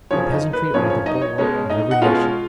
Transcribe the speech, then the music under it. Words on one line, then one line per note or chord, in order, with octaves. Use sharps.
The peasantry are the bulwarks of every nation.
F#2 C#3 F3 C#5
D#4 D#5
B4
F#2 C#3 F3 C#5
C#5
D#4 D#5
C#5
B2 G#3 C#4 C#5
D#4 D#5
F#5
B2 G#3 C#4 F4 F5